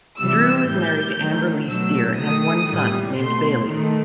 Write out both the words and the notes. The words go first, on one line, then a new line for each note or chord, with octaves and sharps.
Drew is married to Amber Lee-Steere and has one son, named Bailey.
C3 E3 G3 E6
A2 G3 G6
D#3 F#3 A3
B2 F#3 A3 E6
D#3 A3 D#6
A2 G3
B2 A3 C6
D#3 A3